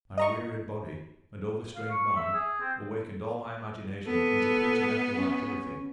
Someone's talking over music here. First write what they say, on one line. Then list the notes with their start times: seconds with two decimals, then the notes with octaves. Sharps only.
My wearied body and overstrained mind awakened all my imagination into preternatural activity.
0.18 D#5 A#5 C#6
1.76 F5
1.90 C#6
2.16 E5
2.34 G#4
2.60 C4
4.06 B3 A4
5.17 C#4